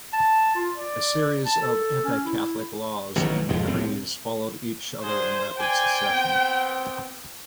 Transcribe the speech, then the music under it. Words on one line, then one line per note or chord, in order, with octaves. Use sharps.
A series of anti-Catholic laws and decrees followed each other in rapid succession.
A5
F4
D5
A5
A4
C#4
E4
A1 B2 D#3 F#3
B1 F2 F3 G#3
C2 A2 C3 C4
D4 F#4 G#4 C5
C5 D5 G5 G#5
B3 C4